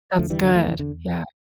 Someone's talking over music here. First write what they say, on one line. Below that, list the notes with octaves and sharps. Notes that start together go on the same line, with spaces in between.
That's good, yeah.
E2 D3 F3 A3
E3 G3
D3 F3
F3 A3
E3
D3